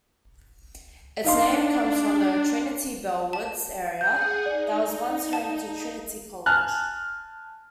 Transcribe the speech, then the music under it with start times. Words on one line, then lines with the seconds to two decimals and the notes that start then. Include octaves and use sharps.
Its name comes from the Trinity-Bellwoods area that was once home to Trinity College.
1.24 D4 D#4 F5 C6
3.33 A5
4.01 G#4 F#5 G#5 G6
4.46 D#4 D5
5.33 A5
6.46 G#5 A5 F6 F#6